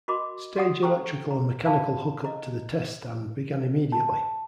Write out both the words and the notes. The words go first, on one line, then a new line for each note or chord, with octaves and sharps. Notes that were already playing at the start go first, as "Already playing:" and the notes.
Stage electrical and mechanical hook-up to the test stand began immediately.
F#4 A#4 D#5 B5 C6 D6
F#4 G4 F#5 D#6
A4 C5 G5 A#5 C#6
A#5
D5 F5 G#5 A5 B5
D#5 A#5
A5